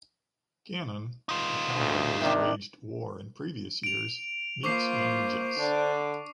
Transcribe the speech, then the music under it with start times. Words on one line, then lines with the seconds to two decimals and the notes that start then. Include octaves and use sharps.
Gannon, a cowboy who has waged war in previous years, meets young Jess.
1.29 D#4 F4
1.77 D2
2.21 C3 D#3 G3 D4
3.83 D7 F7
4.63 A#3 F4 C5 C#6 D6 C7
5.58 D3 D4 D5